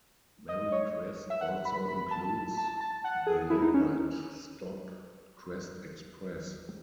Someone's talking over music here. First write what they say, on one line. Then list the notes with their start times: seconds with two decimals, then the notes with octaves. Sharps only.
Marycrest also includes the late-night stop, Crest Express.
0.49 D#5
0.72 C#5
1.30 E5
1.41 F#5
1.65 B5
1.88 B5
2.11 A5
2.57 A5
2.81 A5
3.04 F#5
3.27 G#4
3.50 E4
3.62 D#4
3.74 C#4